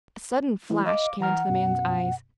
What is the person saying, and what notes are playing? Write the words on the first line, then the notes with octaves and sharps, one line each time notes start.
A sudden flash came into the man's eyes.
E3 G#3 A3 E4
D#5 F5 D6
E3 F#5 A#5 F6
F#2 B2